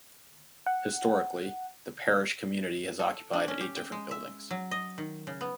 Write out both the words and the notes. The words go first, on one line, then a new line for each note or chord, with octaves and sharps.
Historically, the parish community has occupied eight different buildings.
F#5
A4
D4
C#4
G4
G5
G#3
E5
F#3
D#5
D#3
C#3
B3